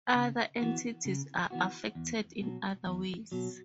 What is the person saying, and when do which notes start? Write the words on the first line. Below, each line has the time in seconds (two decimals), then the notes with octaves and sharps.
Other entities are affected in other ways.
0.15 C#3
0.60 E3 B3 F#4
1.05 C#3
1.50 E3 B3 F#4
1.95 E2
2.40 B2 F#3
2.86 E2
3.32 B2 F#3